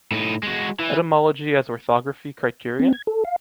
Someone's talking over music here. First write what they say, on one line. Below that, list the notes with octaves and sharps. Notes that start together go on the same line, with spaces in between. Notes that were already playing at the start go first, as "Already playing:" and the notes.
Etymology as Orthography Criterion?
A2 D#4
G#3 F#4
E3
C4
G#6
A4
F5